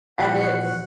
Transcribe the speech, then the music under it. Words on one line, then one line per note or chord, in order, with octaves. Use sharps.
and it's
A#2 E3 F3 F#4 F#5